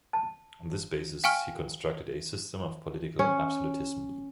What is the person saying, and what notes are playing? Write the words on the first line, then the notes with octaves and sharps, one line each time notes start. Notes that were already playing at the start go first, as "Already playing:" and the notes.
On this basis, he constructed a system of political absolutism.
A5
F5 G5 G#5 C#6 F6
C#4